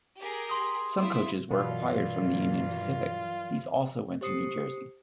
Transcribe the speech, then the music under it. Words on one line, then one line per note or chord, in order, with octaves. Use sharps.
Some coaches were acquired from the Union Pacific; these also went to New Jersey.
G4 G#4 A#4
C6 D#6
E4 F4 E5
G2 B2 E3 F#3 F4 A#4 D5
G4 C5 D#6 C7 C#7